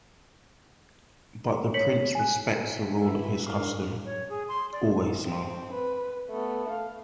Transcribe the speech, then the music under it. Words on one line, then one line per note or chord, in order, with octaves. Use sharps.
But the prince respects the rule of his custom: always smile.
C#5 B6 C#7 F#7
G#5 F#6
E5
B2 E4 A4
F#2 D4 F5
C#5
G#4
C6
D5
C4
B4
A3 B3
F5